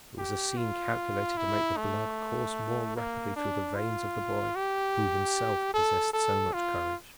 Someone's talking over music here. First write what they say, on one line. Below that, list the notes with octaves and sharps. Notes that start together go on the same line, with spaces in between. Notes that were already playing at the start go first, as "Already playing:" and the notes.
It was a scene calculated to make the blood course more rapidly through the veins of the boy, who, himself, possessed so much courage.
G4
F4
E4
A3
A#3
D4
F4
G4
A4
A4
F4